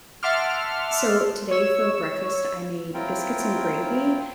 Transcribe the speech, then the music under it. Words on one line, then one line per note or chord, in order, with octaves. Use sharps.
So, today for breakfast, I made biscuits and gravy,
E5 F#5 A5 C6 D6 F6
C#5 E6
F#3 C4 E4 F4 A#4 G5